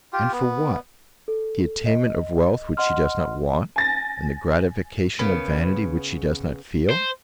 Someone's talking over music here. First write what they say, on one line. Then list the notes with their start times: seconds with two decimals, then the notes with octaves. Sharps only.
And for what?-the attainment of wealth which she does not want, and the gratification of vanity which she does not feel.
0.13 F4 G4
0.32 B3
1.28 A4
1.86 D#5
2.77 D#5 F#5 C6 F6
3.76 G#5 A6 A#6
5.19 C#3 B3
6.90 C5